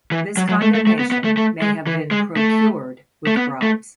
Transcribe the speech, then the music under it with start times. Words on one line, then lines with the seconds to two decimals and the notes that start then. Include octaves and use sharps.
This condemnation may have been procured with bribes.
0.12 E3
0.37 F#3
0.49 F#3
0.62 A3
0.74 A3
0.87 A3
0.99 B3
1.11 B3
1.24 A3
1.37 A3
1.62 G#3
1.87 E3
2.11 G#3
2.37 A3
3.27 A3
3.37 B3
3.62 A3